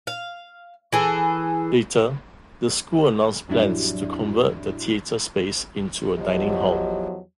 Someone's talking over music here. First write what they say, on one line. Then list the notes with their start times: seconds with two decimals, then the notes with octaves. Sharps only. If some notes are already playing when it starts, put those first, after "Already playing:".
Later, the school announced plans to convert the theatre space into a dining hall.
0.07 F5
0.93 E3 G#4 A4
3.48 A1 F2 F#3 G3 D4 E4
6.17 E2 F3 F#3 G4 D#5